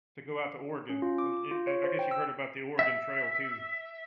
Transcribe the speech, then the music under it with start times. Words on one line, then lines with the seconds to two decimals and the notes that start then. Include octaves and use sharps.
To go out to Oregon. Uh and I I guess you've heard about the Oregon Trail too.
0.90 C#4
1.02 F4
1.18 D6
1.51 F4
1.67 C#5
1.84 C5
1.99 G5
2.11 E6
2.79 E5